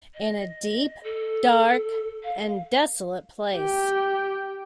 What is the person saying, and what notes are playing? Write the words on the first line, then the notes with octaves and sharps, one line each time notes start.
In a deep, dark and desolate place.
D#5
A4
F5
G4 G5